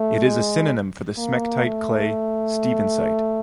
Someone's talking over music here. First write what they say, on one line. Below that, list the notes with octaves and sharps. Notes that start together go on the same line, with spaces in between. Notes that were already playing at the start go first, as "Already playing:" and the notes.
It is a synonym for the smectite clay: stevensite.
Already playing: A3
G#3
A#3
A3